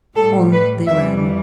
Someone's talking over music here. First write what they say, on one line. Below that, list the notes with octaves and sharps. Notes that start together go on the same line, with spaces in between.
On they ran.
A2 G3 A4
B4
F2 E3 G3 E5